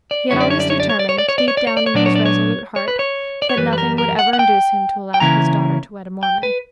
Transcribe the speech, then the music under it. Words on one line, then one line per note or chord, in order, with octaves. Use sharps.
He had always determined, deep down in his resolute heart, that nothing would ever induce him to allow his daughter to wed a Mormon.
D5
F#2 D3 G3 C#4 E4 C#5
D5
C#5
D5
C#5
D5
C#5
D5
C#5
D5
C#5
D5
C#5
D5
C#5
D5
C#5
A#2 F#3 B3 D4 D5
C#5
D5
C#5
C#5
B4
C#5
D5
C#5
F#2 E3 G3 B4
B4
A#4
A#4
F#5
F#5
G5
G5
C#3 E3 A#3 C#4 E4 A#5
G5
B4